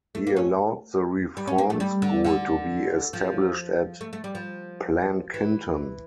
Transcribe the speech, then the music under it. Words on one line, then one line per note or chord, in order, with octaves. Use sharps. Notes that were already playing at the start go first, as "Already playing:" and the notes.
He allowed the reform school to be established at Plankinton.
A3
A#3
C#4
G3
C#4
A#3
A3
G3
D3
D3
F3
A3
A3
G3
F3
E3